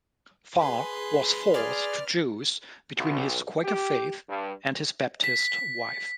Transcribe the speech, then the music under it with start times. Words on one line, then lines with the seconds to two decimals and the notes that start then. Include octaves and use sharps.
Farr was forced to choose between his Quaker faith and his Baptist wife.
0.59 G#4 B4 C6
1.54 G#4 D5 F6
2.97 B1
3.64 G4
4.29 G2
5.24 B6